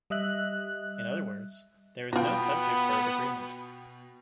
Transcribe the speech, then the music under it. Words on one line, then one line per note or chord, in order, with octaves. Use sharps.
In other words, there is no subject-verb agreement.
G3 D#5 E5 F#6
B2 B3 F4 F#4 G5